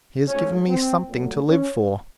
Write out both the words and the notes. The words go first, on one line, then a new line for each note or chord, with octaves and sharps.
He has given me something to live for.
G#2 F3 A3 C#4
C4
A#2 F#3 A3
C#4